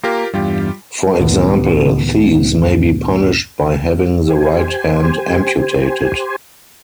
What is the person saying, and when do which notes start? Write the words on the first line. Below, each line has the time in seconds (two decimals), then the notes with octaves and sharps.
For example, thieves may be punished by having the right hand amputated.
0.04 A#3 F4 G4 A#4
0.34 E2 G2 G3 F4 G4
1.20 C#2 A2 D#3 A3 B3
4.30 G4 C5 G#5